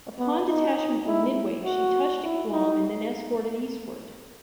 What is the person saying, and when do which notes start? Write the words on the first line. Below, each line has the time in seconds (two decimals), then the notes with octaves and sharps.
Upon detachment from "Midway", she touched at Guam, and then escorted eastward.
0.19 B3
0.48 D#4
1.06 E4
1.64 F#4
2.23 E4
2.52 D#4